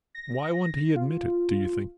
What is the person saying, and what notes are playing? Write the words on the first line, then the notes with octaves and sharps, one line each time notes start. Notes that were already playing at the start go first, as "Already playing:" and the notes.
Why won't he admit it, do you think?
A#6
F4